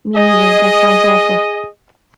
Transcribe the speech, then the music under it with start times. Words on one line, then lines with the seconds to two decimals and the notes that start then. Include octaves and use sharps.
Me neither, that sounds awful.
0.16 G#4 D#5